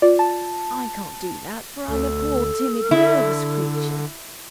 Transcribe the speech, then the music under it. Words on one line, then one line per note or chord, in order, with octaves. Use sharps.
I can't do that, for I am a poor, timid, nervous creature.
F4 D5
A5
D2 A4
D3 E4